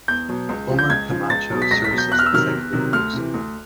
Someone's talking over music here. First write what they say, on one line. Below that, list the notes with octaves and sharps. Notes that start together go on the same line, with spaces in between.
Omar Camacho serves as executive producer.
E2 G6
B2 F#3
C#2
C#3 F3
G6
C#2 G#6
C#3 F3
C#2 A6
B2 F#3
B6
C#2 A#6
B6
B2 F#3
G6
E2 F#6
F6
E6
C3 D#3 F#3 F6
E2
C3 D#3 F#3
D2 F6
C3 E3
D2